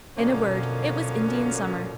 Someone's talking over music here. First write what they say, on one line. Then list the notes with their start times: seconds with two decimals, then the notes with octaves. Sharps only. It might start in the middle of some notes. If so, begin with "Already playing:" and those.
In a word, it was Indian summer.
0.16 F#2 B2 D3 F3 A#3 C#4
1.64 A#2